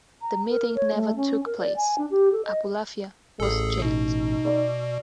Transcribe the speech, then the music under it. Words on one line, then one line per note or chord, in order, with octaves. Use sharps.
The meeting never took place; Abulafia was jailed.
A#5
A#4
C#5
A3
C#4
A#4
D5
G#5
D4
G4
A4
D#5
A1 G#4 A4
B2 D#4
D5 D6